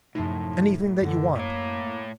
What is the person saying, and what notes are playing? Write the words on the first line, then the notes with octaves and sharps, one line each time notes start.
Anything that you want.
F#2 A2 C3 F3 D#4
F#2 D3 A#6
A2 A#3 C#5